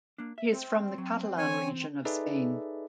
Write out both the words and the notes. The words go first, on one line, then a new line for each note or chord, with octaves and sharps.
He is from the Catalan region of Spain.
A#3 D4
E5
C4
F#3
E3 C#5 G#5
D#4 G#4 A4 B4 D5 E5